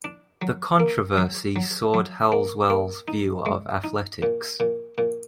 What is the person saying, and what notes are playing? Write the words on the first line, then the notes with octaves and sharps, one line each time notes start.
The controversy soured Halswelle's view of athletics.
D4
F#3
A#3
F#3
F#3
F#3
A#3
A#3
D#4
G#3
D#4
A#2
A#2
A#2